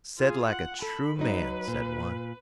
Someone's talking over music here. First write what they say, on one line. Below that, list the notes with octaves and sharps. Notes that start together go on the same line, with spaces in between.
"Said like a true man," said one.
F4 G#4
F#5
A4 B5
F#3 D#4 B4
A#2